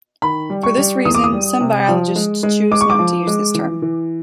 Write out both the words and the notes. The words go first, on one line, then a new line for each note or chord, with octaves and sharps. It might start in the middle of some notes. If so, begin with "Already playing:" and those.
For this reason, some biologists choose not to use this term.
D#3 B5
G3
C#6
G3
E2 D#6
D6
D#6
G3
C3
F3
G#3
G#3
G#3 D6
C#6
D6
F3
G#3
E3
E3